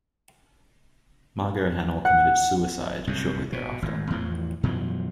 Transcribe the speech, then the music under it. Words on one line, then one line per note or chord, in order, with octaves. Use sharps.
Margot Hanel committed suicide shortly thereafter.
F#5
C2 F#2 C3
B2
G#1 A2
E2 A2 E3 F3
F#2 B2 E3 F3